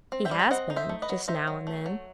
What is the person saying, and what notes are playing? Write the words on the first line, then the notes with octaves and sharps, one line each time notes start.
'He has been--just now an' then.'
C4
E5 G5
G3
G5
C4 D#5 F#5
D#4
C5 E5
A3
B4 D#5
F#3
D#4 C5 E5
F#3
A3
F#3